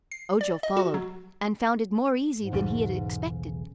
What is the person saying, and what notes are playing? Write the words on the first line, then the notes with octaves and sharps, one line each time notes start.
Ojo followed and found it more easy than he had expected.
C7
D5
D#5
F#4
F#3
G#2
B1 E2 C#3